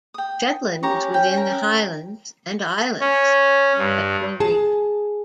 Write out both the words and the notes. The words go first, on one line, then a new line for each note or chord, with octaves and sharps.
Shetland is within the Highlands and Islands electoral region.
G5 D#6
C#4 G4 A#5 C#6
G5
A#4 G5
C#4
G2
G#4 A5